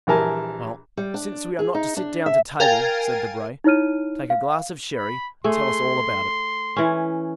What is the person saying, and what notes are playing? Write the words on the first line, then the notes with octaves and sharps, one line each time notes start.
"Well, since we are not to sit down to table," said Debray, "take a glass of sherry, and tell us all about it."
A#1 E3 G3 A#4 G#5 A5
G3
D4
G#4
D#4
D4
E5
A#4 F5 G5 G#5 G#6 A6
D#4 E4 C#5 F6 D#7
F5
B5
A3 G#4 C6
E3 C#4